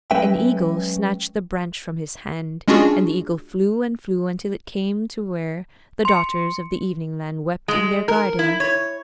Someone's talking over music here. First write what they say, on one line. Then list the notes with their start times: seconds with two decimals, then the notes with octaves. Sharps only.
An eagle snatched the branch from his hand, and the eagle flew and flew until it came to where the Daughters of the Evening Land wept in their garden.
0.11 F#3 G#3 C#4 B4 E5 G5
2.68 G#3 C#4 D4 F4 F#4 G#4
6.05 C6 C#7
7.68 G#3
8.08 A#4
8.39 E4
8.60 C#5